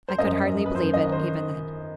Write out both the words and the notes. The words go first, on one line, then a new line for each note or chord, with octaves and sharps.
I could hardly believe it, even then!
C5
F#2 D#5
F#2
B4
F#2 C5
D#5
D#3
C5